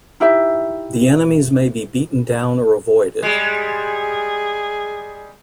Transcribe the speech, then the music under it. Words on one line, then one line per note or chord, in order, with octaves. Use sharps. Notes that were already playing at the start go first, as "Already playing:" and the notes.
The enemies may be beaten down or avoided.
D#4 E4 G4 E5
G3 G#3 G#4